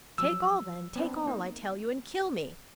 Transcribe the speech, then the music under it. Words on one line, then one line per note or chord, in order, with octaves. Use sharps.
"Take all, then--take all, I tell you, and kill me!"
F3 F#3 E6
B3 C4 D4
A#3 D#4